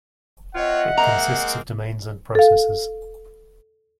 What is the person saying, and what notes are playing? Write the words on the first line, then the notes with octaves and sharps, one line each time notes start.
It consists of domains and processes.
C4 F4 C#5 D#5 E5 F#5
G#3 A#3 C4 A#5
A4 F5